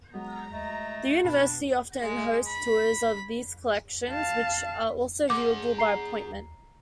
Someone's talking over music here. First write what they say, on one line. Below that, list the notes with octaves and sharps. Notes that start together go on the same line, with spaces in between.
The university often hosts tours of these collections which are also viewable by appointment.
F#3 G#3 B3 A#5
A3 D#5
B2 D4 B5
G#3
B5
F5 A5
G#4 F#5 D6
A#5 C7 G7